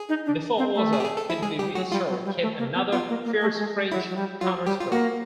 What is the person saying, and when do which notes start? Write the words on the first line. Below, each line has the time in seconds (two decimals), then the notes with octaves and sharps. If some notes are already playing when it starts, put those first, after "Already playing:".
Before order could be restored came another fierce French counterstroke.
Already playing: G#4
0.09 D#4
0.26 D4
0.58 C4
0.75 A3
0.92 G#4
1.00 G4
1.05 G#4
1.17 A4
1.30 E4
1.41 G#3 G#4
1.59 G3 G4
1.75 F#3 F#4
1.92 G3 F4
2.09 F#3
2.25 G3
2.42 A3
2.59 A#3
2.75 B3
2.91 B3 F4
3.09 A#3
3.26 A#3
3.41 A3
3.59 G#3
3.91 F#3 E4
4.10 F#3
4.16 G3
4.41 F#3 F4
4.66 G3 G4
4.80 F4
4.91 A#3 F#4